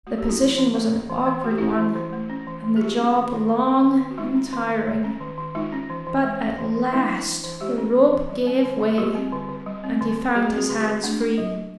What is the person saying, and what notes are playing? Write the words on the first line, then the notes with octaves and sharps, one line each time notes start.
The position was an awkward one and the job long and tiring, but at last the rope gave way and he found his hands free.
A3 F#4
G4
C#4 E4 F#4
E3
E3
A3
C#4
E3
E3
A3 F#4
G4
C#4 E4 F#4
E3
E3
A3
C#4
E3
E3
G#4
G#3 F4 G4
C#4
D#3
D#3
G#3
C#4
D#3
D#3
F#4
G#3 D#4 F4
C#4
D#3
D#3
G#3
C#4
D#3
D#3
G#3 D#4 F4
C#4
E3
E3
G#3
C#4
E3
E3
G#3 D4 E4
C#4
E3
E3
G#3 F4 G4
C#4
E3
E3
G3
C4
D3
D3
G#4
G3 F4 G4
C4
D3
D3
G3
C4
D3
D3
G3 F#4 G#4
C4
F#4 G#4
D3
F#4 G#4
D3
A3 D4
D4
F#3
F#3